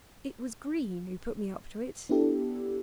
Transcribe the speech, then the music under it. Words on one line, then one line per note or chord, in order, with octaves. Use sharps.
It was Green who put me up to it.
B3 D4 E4 G4 A4